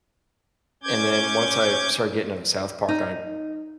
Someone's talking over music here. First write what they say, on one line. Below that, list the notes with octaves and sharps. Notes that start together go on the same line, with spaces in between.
and then once I started getting into South Park, I
C#4 D6 G6 G#6
D#4